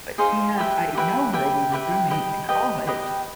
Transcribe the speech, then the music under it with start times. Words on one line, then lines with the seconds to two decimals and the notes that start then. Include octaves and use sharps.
But she has I know her. We were roommates in college.
0.18 D#4 G#4 C5 F5
0.58 G4 B4 E5 G5
0.95 G4 B4 E5 G5
1.33 G4 B4 E5 G5
1.72 G4 B4 E5 G5
2.10 G4 B4 D#5 G5
2.48 G4 B4 D#5 G5
2.87 G4 B4 D#5 G5